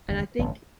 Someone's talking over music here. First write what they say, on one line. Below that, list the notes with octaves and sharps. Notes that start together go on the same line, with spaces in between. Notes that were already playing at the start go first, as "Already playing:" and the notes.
and I think
F1 D#2 D3
A1 G2 D3